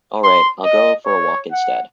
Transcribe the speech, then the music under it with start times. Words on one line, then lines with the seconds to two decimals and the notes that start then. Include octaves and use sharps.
All right, I'll go for a walk instead.
0.24 C6
0.64 D#5
1.06 C#5
1.52 F#5